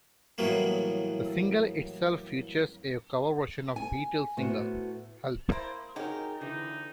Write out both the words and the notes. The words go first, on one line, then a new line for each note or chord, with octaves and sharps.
The single itself features a cover version of Beatles single, Help!
E2 A2 F#3 G3 A#3 B3
G#5
A2 B3 F#4 C5
A#3 E4 C5
F#3 D#4 G4 G#4 A#4
D3 E3 D#4